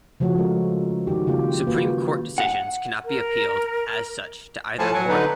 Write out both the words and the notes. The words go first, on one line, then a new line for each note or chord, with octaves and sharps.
Supreme Court decisions cannot be appealed, as such, to either court.
C#3 F3 A3 F#4 C#5 F#5
G#3 A4 A#4
D#3 F#4 G4
C#3 A#3 F4 G4
A#3 F4 F#4 B4
F#5
A#4
A2 F3 G#5 A5
F#3 G#5
D3 D#4 B4